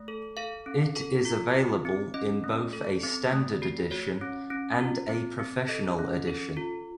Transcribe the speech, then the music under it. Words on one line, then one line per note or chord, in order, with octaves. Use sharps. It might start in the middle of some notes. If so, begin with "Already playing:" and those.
It is available in both a standard edition and a professional edition.
Already playing: A3
A4
A4 F5
C#4
A4
F4
C4
C4
C#4 D#5
A3
A4
C4
A3
F#4
F#4 C#5
C#4
C#4
F4
C4
C4
A4 D#5
C#4
A4
F4